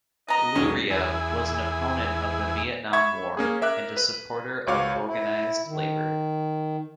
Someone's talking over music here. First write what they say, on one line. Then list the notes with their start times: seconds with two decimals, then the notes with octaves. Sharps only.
Luria was an opponent of the Vietnam War and a supporter of organized labor.
0.28 B3 D#5 A#5
0.55 E1 B1 C#4
0.90 E2 E4 G#4 G#5
2.93 E5 B5 C#6 G#6
3.37 A#3 C#4 G#4
3.62 A#4 E5 D6 F#6
3.97 B4
4.67 C#2 F#4 C#5 F5 D6
5.05 E4
5.66 D#3